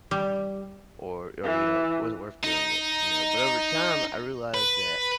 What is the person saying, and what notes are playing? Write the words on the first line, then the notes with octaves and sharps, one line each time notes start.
or or, you know, it wasn't worth doing it, you know? But over time, I realized that,
G3
E3
D#4
B4